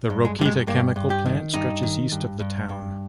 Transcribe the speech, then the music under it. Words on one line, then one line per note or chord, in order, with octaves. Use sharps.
The Rokita Chemical Plant stretches east of the town.
G2
G#3
G2 G3
G#3
G2 A#3
G2
G4
D#3
G2 D#4
D#3
G2
G2
G2